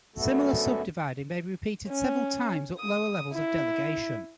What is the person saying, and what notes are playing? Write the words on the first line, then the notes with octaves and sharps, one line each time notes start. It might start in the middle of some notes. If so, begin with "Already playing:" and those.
Similar subdividing may be repeated several times at lower levels of delegation.
F#2 D3 A3 B3 F#4 A4
C#4
D#6
E4